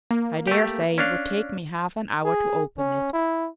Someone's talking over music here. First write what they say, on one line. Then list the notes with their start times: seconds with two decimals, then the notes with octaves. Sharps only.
I dare say it would take me half an hour to open it.
0.11 A#3
0.47 A3 G4
0.98 C#4 D4 F5
2.25 G#4
2.78 C#4
3.13 E4